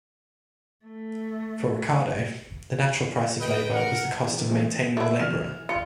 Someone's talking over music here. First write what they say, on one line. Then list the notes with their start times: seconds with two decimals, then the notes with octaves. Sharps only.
For Ricardo, the natural price of labor was the cost of maintaining the laborer.
0.85 A3
3.40 D#4 B4 D#5 G5
3.73 A#4 F#5
4.26 E2 C4
4.48 E3 G#3 C4
4.97 A3 E4 D7
5.20 E3 F6 E7
5.69 F4 C#7